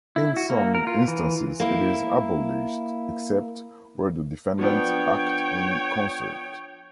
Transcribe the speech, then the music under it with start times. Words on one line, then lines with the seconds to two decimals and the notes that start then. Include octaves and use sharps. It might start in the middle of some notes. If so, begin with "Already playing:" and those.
In some instances it is abolished except where the defendants "act in concert".
0.16 E4
0.37 F#4
0.50 A#3
0.75 A#4
0.87 F4
1.08 E3
1.60 A#3 E4
4.59 F3 B3 D4 C#5 G5